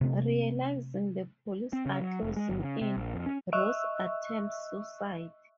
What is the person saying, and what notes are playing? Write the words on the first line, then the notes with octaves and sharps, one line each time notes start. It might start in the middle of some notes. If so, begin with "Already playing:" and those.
Realizing the police are closing in, Rose attempts suicide.
C3 A3 C4
C4
C#3
F#3
F1
G#3
G1
C#3
C3
A#1
F2
C#4
D#5 E5 C#6 E6 F#6